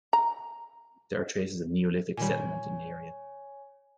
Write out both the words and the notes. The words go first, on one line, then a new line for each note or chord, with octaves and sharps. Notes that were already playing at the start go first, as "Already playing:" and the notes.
There are traces of Neolithic settlement in the area.
A#5
A#2 D#3 G3 C#5 G#5